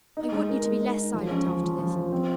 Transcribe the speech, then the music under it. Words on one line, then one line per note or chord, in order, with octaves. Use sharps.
I want you to be less silent after this.
D#4
G#3
A#4
G#3
D#4
D#4
F3
C#4
F3
F3
F3
F3
C4